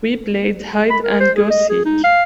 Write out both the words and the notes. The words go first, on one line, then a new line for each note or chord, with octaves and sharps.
We played hide and go seek.
B5
A#4
C5
G#4
D#5
G#4
D#4
F5